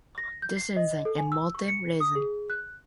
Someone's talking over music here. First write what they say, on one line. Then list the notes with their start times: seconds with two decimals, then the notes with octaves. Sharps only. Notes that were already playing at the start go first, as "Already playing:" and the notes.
This is an emotive reason.
0.18 A#6
0.42 G6
0.57 C7
0.76 D#5
1.05 A4
1.18 G#5
1.32 E6
1.55 C#6
1.68 C#7
2.00 D#6
2.15 G#4
2.50 F#6